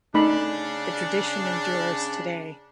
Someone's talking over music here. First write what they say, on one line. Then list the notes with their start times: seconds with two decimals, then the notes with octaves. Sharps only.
The tradition endures today.
0.14 C#3 A3 D4 D#4 B5